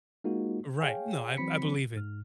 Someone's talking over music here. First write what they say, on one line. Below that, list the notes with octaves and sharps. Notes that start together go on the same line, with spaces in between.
Right, no, I b I believe it,
G#3 A#3 D#4 F4 F#4
G#4 C#5 F5 G5 G#5
E3 F#3 C4 B5 B6 C#7
G#2 F6